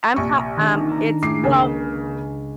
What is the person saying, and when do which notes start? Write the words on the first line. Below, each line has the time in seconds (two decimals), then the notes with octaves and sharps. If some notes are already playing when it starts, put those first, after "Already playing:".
I'm talk um, it's well,
0.16 A#1 C3 C#6
0.56 D#3 D4
0.88 D4 A#5
1.22 A2 G#4 D6 C7
1.44 C#2 C#3 A#3